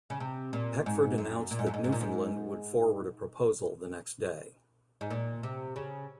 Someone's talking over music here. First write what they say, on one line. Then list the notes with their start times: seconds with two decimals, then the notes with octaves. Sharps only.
Peckford announced that Newfoundland would forward a proposal the next day.
0.10 C#3
0.20 C3
0.53 A#2
0.86 G#2
1.18 F#2
1.51 A#2
1.59 G#2
1.66 F#2
1.74 G#2
1.84 G#2
1.92 A#2
2.01 G#2
5.01 G#2
5.10 A#2
5.43 C3
5.76 C#3